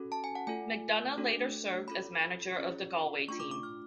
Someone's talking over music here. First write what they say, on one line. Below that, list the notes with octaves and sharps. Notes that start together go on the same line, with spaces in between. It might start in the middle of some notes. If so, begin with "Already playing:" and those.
McDonagh later served as manager of the Galway team.
Already playing: C#4 F#4 A4
A5
G#5
F#5
A3 F4 A4 G#5
A3 D4 F#4 A4
C#4 F4 A4 B5
C#4 F4 G#4
A3 D4 F4 C#6
D6
D6
F6